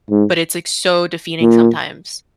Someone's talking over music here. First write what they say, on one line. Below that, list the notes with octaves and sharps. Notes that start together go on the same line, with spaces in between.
but it's, like, so defeating sometimes
G#2
A#2